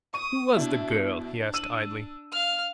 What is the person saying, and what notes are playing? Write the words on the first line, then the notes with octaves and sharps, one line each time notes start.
"Who was the girl?" he asked idly.
C#6 D#6 D#7
B2 D4 E4
D4
E6 D#7 F#7
F5 F6